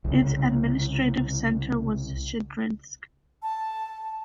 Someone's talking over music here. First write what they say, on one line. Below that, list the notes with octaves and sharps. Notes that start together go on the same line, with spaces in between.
Its administrative centre was Shadrinsk.
C2 C#3
A5